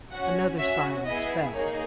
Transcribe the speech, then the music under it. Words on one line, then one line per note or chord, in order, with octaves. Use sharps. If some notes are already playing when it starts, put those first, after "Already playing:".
Another silence fell.
C#4 F#4 F#5
C#4 F#4 E5
B3 E4 G#4 D#5
A#3 D#4 G#4 C#5